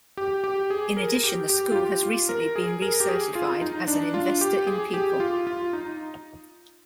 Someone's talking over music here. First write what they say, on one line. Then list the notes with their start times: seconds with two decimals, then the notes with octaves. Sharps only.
In addition the school has recently been re-certified as an investor in people.
0.17 G4
0.44 G4
0.70 G#4
0.97 A#4
1.24 G4
1.50 G4
1.72 F4
1.76 G4
2.03 F4
2.29 A#4
2.56 G#4
2.82 A#4
3.00 G4
3.09 G#4
3.35 F4
3.62 D#4
3.88 D4
4.14 F4
4.41 G4
4.67 G#4
4.94 G4
5.20 F4
5.47 F4
5.73 D#4